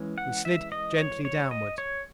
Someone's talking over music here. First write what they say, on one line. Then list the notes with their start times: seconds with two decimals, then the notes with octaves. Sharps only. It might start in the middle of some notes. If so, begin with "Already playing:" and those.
We slid gently downward.
Already playing: E3 G#3 C#4
0.18 F#5
0.45 E5
0.72 D#5
0.98 C#5
1.25 C#5
1.51 D#5
1.78 C#5